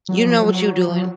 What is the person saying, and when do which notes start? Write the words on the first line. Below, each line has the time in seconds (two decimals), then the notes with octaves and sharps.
You know what you doing.
0.09 F#3
0.25 F3
0.41 F#3
0.89 F3
0.96 F#3